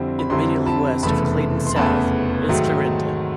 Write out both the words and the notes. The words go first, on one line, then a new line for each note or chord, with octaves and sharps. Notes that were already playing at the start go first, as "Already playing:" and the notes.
Immediately west of Clayton South is Clarinda.
Already playing: F2 D3 G3 C4 E4
B5
F2 D3 G3 C4 E4 A#5 C6
A5 B5
F1 E2 C#3 E3 A3 A5 B5
C6
F1 E2 C#3 E3 A3 A5 B5
G#2 D#3 F#3 A3